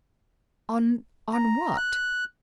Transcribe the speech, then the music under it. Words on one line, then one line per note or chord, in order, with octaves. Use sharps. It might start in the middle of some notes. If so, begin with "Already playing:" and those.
"On--on what?"
A#5
F#6